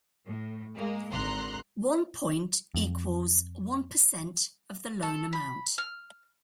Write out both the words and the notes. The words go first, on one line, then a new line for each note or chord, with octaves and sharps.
One point equals one percent of the loan amount.
A2
G#3 A#3
G#1 D3 A#5 C6 F#6
F2
A4
B5
F6